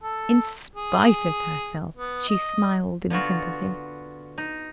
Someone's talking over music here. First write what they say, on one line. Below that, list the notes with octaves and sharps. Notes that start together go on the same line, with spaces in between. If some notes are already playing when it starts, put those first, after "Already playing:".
In spite of herself, she smiled in sympathy.
A4
G#4
B3
D#5
D3 B3 F4 F#4
D#4